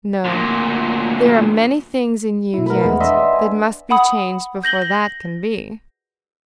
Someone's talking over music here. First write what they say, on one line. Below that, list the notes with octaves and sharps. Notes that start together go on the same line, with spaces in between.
No; there are many things in you yet that must be changed before that can be.
D2 A#2
B2 E4
A3 A#4 B4 F#5
E2 G#3 A3
D4 D#5 E5 C6
G#5
F#5 B5 D#6
G6 A#6 F#7 G7
A#6